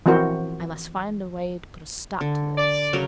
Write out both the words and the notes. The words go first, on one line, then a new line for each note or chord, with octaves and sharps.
I must find a way to put a stop to this.'
E3 F3 C4 F#4 A#4 C5
D3
D5
C#3 F#3 A#4